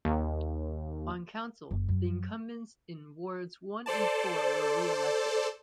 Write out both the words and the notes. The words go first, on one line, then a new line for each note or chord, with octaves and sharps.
On Council, the incumbents in wards one and four were re-elected.
D#2
F#1
F#2
A4 C5 D5 A5